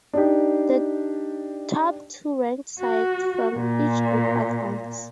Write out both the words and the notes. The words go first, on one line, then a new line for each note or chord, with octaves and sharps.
The top two ranked sides from each group advance.
D4 D#4 G4
F#4
A#2